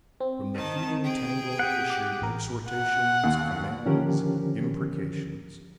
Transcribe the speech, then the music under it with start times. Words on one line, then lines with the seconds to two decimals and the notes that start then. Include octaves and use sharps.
From the heaving tangle issued exhortations, commands, imprecations.
0.20 C4
0.54 D#3 A5
1.03 G#4 G5
1.59 G4 F#5
1.90 D6 F#6
2.22 A1 A#4
2.70 F#5
3.24 D#2
3.85 D3 D#3 F3 C#4 G4 A#4